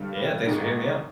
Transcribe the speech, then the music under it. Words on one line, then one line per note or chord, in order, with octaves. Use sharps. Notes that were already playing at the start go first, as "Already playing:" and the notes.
Yeah, thanks for hearing me out.
Already playing: G2 D3 G3
G#1 G#2 D#3 G#3 D#4